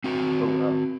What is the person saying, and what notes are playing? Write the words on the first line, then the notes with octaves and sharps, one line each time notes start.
Oh, wow.
C4 F#4 A#5